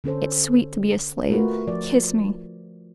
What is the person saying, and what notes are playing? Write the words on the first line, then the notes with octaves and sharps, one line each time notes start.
It's sweet to be a slave. Kiss me!
D3 C#4 A4 C5
A3 F4 F#4 A#4 B4
F3 D5